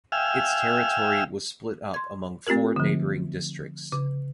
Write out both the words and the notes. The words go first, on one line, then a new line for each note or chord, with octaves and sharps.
Its territory was split up among four neighboring districts.
E5 F5 G5 G#5 E6 F6
C6 G#6
A3 C4 F4 G4 A#4
D3 F3
C#3